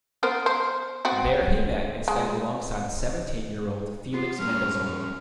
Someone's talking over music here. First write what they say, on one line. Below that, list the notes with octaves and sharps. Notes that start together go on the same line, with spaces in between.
There he met and studied alongside the seventeen-year-old Felix Mendelssohn.
B3 A#4 C5
C5
B3 C4 F#4
G#3
B3 F4
G3 C#4 A#4 F6